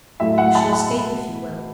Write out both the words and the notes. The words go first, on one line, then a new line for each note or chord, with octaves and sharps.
You shall escape, if you will.
A2 F#3 A3 E5
F#5
A5
A5
B2 A3 B5